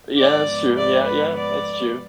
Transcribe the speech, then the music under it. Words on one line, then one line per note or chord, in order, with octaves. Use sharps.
Yeah, that's true, yeah, yeah, that's true.
G#2 F3 B3 D5
D5
B4
D5